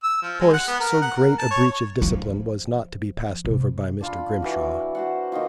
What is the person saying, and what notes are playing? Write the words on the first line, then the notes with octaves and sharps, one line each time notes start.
Of course, so great a breach of discipline was not to be passed over by Mr. Grimshaw.
E6
F3
G#3
F#5
B3
A#4
F#5
A#4
A5
C#5
F3
C3
D4 F4 B5
E3 F#4 D5
F#4 C5 F#5
D#3 A#3 D#4 F4